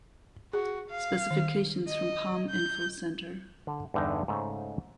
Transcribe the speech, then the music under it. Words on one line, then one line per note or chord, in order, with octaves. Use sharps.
Specifications from Palm Info Center.
F#4 G#4
F5
D#3
D#5
G6
D3
E2 G2 D3 D#4
G#2 C#3 A3 C5 C#5